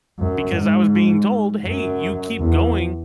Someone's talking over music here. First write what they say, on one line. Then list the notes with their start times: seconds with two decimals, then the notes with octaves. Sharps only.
because I was being told, "Hey, you keep going.
0.19 F#2
0.56 G#2
1.66 F#2
2.40 E2